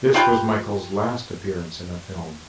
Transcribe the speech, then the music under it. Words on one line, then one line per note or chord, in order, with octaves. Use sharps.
This was Michael's last appearance in a film.
F4 G4 B4 G5